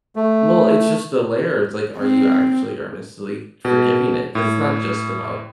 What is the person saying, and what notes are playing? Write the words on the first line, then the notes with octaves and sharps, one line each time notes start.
Well, it's just the layer, It's like, are you actually earnestly forgiving it? 'Cause it's not just about,
A3
C4
B2
A2